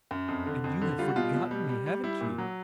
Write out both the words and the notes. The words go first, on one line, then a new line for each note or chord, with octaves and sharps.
And you have forgiven me, haven't you?
F#2
F2
D3
F2
D3
G3 F4
F#4
B2 F4
B2
G3
G3
G3
G3 E4
A#2
F#3